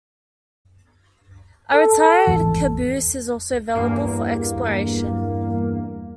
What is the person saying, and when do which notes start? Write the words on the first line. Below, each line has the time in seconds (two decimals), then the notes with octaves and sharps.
A retired caboose is also available for exploration.
1.74 A4
2.27 G#1 E2 E3
3.75 E2 G2 A#3